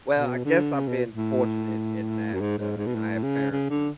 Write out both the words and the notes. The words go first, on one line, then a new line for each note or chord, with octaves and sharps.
Well, I guess I've been fortunate in that, uh, you know, I had parents who,
B2
D3
C#3
B2
A2
F#2
G#2
G#2
G#2
B2
A2
C#3
C#3
D3